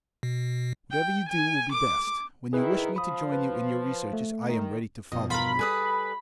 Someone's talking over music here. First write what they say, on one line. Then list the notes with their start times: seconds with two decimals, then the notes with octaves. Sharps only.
Whatever you do will be best; when you wish me to join you in your researches, I am ready to follow you.
0.23 B2
0.91 G5
1.29 G#5
1.73 D6
2.53 D#3 E4 G#4 B4
2.96 F3 B5 D#6
3.32 B4
4.13 A3
4.45 D#3
5.12 G2 B2 F3 D#5
5.30 F4 A#4 B5
5.59 G3 G#4 A4 B4 D5 D#6